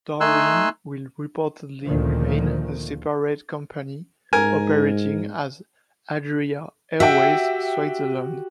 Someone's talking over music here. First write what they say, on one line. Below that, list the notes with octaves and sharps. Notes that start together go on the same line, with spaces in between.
Darwin will reportedly remain a separate company operating as "Adria Airways Switzerland".
A3 D#4 G#5 C6 E6 F#6
D2 A#2 D#3 F3
G#2 A#4 G#5
F#4 G4 E5 G5